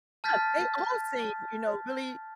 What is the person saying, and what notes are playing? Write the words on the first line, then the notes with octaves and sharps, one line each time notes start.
Yeah, they all seem, you know, really
A5 F6 G6 A6 B6